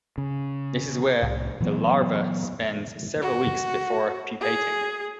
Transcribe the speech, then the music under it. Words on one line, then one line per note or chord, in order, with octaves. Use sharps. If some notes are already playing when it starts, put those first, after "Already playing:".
This is where the larva spends several weeks before pupating.
C#3
C2 A2
A#2 E3 F#3 B3
F#4
G#4